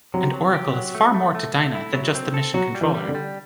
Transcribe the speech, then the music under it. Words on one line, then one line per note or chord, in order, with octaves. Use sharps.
And Oracle is far more to Dinah than just the mission controller.
C3 F#3
F#3
G4
F#3
A3
A3
A3
A3
E4
F#3
C4
A4
F#3 F#4
G3
E3
G3
D3
G3